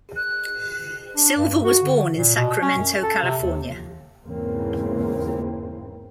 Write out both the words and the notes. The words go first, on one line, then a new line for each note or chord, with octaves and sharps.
Silva was born in Sacramento, California.
F#6
D4
G2
G2
F#4
D3
A#2
B2
C#4
F#2
A4
C3
D#2
E2 G#2 C#3 E3 A#3 C4